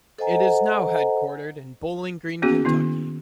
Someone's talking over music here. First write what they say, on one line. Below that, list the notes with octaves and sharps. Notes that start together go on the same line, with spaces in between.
It is now headquartered in Bowling Green, Kentucky.
A4 C5 D#5 F#5 G#5 A#5
A#3 B3 C#4 F#4 G#4
D#3 B3 E4